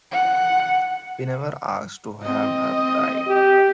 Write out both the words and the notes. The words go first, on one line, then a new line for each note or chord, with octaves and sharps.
We never asked to have her die.
F#5
C4 D#5
G4